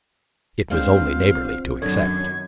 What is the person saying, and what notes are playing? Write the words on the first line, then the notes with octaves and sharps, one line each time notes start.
It was only neighbourly to accept.
G#3 B3 C4 D4 F4 F5 G6
F#2 D#3 D4 A4 C#5 G#6